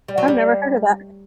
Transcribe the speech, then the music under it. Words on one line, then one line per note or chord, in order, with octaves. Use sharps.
I've never heard of that.
G3
F#3
G3